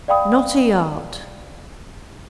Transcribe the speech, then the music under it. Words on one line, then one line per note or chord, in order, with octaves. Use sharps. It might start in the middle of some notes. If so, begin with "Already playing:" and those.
"Not a yard."
D5 F5 G5 B5 D#6